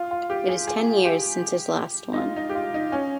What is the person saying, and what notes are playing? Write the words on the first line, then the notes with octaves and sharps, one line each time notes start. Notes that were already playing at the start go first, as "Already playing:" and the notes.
It is ten years since his last one.
Already playing: F4
F4
G4
G#4
G#4
G4
D#4
F4
D#4
G4
F4
D#4
C#4